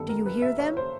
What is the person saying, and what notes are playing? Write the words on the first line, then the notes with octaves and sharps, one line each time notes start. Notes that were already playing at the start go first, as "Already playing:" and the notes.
Do you hear them?
Already playing: G1 F#2 D#3 G3 B3 A4
A#4
B4
E5
C#5
C5